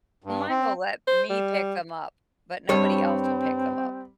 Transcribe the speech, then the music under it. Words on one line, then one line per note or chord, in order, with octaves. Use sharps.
Mine will let me pick them up, but nobody else will pick them up.
G2
C4
C5
G3
G2 G3 C4 C#5